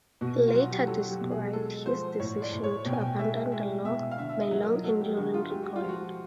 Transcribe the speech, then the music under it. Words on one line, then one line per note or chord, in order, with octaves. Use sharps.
He later described his decision to abandon the law "my long enduring regret".
B2 F#4
F4
F#3 F#4
G4
F#3 A4
G4
B2
G#4
G#3 A4
F3 C5
A2 C#5
D5
A2
C#5
B2 G5
G#5
G5
G#3 E5
G#3 E5
B2 E5
F5
D3 E5
E5
D#5
F#3
A#4
F#3 A4
G4
D3 F#4
F4
G#3 G4
F#4
F4
F3 F#4